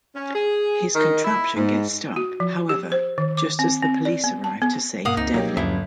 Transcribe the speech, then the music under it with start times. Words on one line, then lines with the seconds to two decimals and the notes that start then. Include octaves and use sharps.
His contraption gets stuck, however, just as the police arrive to save Devlin.
0.15 C#4
0.35 G#4
0.95 D#3
1.24 E4
1.56 G#2
2.16 F#4
2.40 F3
2.69 G4
2.92 C5
3.18 D#3
3.37 D6
3.59 C4
3.82 C4
4.05 D5
4.24 B3
4.44 A5
4.62 B3
5.05 G2 B2 A#3 F5 F#5 D#6
5.17 C#2 C4 D#4
5.34 B2 F#3 A#3 G4
5.57 G1 D#2 F#3 C#4 E4